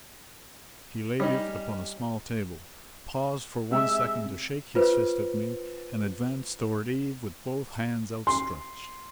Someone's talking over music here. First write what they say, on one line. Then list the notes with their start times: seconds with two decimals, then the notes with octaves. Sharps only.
He laid it upon a small table, paused for one second to shake his fist at me, and advanced toward Eve with both hands outstretched.
1.20 G3 C#4 D#4
3.71 C3 G#3 E5
4.75 F4 B4 C5
8.27 C6